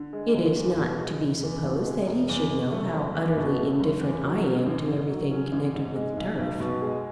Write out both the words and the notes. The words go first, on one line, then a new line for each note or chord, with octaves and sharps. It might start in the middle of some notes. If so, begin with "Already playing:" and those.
"It is not to be supposed that he should know how utterly indifferent I am to everything connected with the turf."
Already playing: D3
G#3
F#1
E2
B2
G#3
E1
E2
B2
G#3
E1
E2
B2
A3
F#1
E2
B2
A3
F#1
E2
F#3
C#4
A1
G#2
F#3
C#4
A1
G#2
G#3
B1
B1
B2
G#3